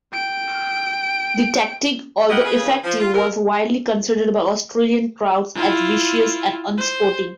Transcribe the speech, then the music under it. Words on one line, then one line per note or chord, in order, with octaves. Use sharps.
The tactic, although effective, was widely considered by Australian crowds as vicious and unsporting.
G5 D7
A3 E4 G4 A#4 D#5 F#5
C#3 G#4 B4
F3
F4
E2 A#4
E4 F4
C5